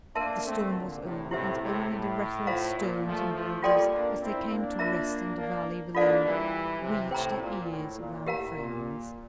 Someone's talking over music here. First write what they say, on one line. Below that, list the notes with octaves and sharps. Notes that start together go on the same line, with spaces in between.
The storm was over, and only the rattle of stones and boulders, as they came to rest in the valley below, reached the ears of our friends.
A#3 D4 A#4 E5 A5 C6
A3 C4
A#2 D3
A2 C3
A2 C3 E4 G4 C5 E5
A2 C3
A2
F4 C5 F5 A#5
A#2
F3 A3
F3 A3
G3 A#3 F4 A4 D5 G5 C6
A#3 D4
C4 E4
A#3 D4
F4 A#4 E5 A#5
A#3 D4
A#3 D4 F4 A4 D5 F5
E3 G3
C3 E3
A2 C3 C5 G5 A#5
A#2
A2
A#2
A2 G4 A#4 F5 A#5
A#2